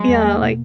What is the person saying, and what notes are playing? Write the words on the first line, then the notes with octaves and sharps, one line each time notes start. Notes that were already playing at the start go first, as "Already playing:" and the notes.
yeah, like
Already playing: F#3 G#3
E2
A#3
B2